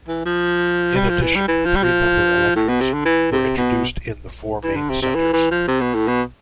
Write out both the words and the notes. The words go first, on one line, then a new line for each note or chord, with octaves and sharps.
In addition, three-member electorates were introduced in the four main centres.
E3
F3
G3
F3
E3
G3
E3
F3
G3
F3
A2
B2
C3
D3
E3
C3
B2
E3
D3
C3
C3
E3
E3
F3
C3
B2
A2
B2